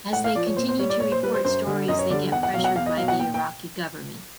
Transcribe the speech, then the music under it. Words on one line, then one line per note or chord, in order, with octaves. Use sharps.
As they continue to report stories, they get pressured by the Iraqi government.
A2 F#5
F5
F3 D5
C#5
A#2 C5
C5
G3 C#5
D5
A#2 C#5
C5
G3 B4
C5
F#2 C5
D3 G3
F#2 D#5
C#5
D3 G3 D5
E2 F#5
F#5
B2 F5
F#3
F#5
E2 F5
D#5
B2 F#3 F5
F#5
A#2 G5
G5